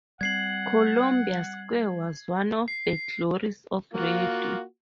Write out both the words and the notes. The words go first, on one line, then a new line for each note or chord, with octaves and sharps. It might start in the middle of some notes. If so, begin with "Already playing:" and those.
Columbia Square was one of the glories of radio.
G3 A3 C4 F#5 G#6 C7 F#7
C7
A#3 F4 F#4